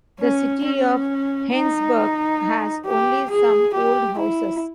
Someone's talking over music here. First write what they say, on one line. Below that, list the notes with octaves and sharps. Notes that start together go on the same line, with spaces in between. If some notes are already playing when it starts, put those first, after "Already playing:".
The city of Heinsberg has only some old houses.
C#4
C#4
D#4
G4
G#4
G4
E4